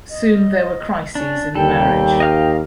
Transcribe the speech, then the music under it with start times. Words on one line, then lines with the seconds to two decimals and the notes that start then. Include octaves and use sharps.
Soon there were crises in the marriage.
0.10 D#5
1.15 C#4 D4
1.55 D#2 G3 A4 G5
2.20 D#5 F5 F6